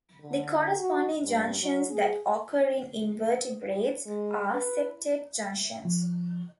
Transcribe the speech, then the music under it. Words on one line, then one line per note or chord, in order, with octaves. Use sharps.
The corresponding junctions that occur in invertebrates are septate junctions.
D3
F#4
G2
F#3
G#4
G#3
B4
F3